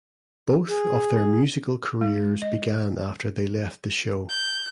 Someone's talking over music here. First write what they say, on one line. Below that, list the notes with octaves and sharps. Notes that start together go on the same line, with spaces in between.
Both of their musical careers began after they left the show.
G#4
G#3
D#5
G6